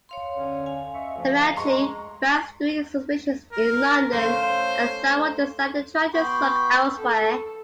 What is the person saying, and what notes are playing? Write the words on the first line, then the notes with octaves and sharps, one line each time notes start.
Eventually banks grew suspicious in London and Saward decided to try his luck elsewhere.
C#5 F5 C6
D3 C#4
F5 G#5
D#5 E5 C#6
D2 F3 A#3
G#3 A#5 C6 C#6
A#4
A3 C#4 C5 F5
B3 F#4 G5 B5 C6 D6
A4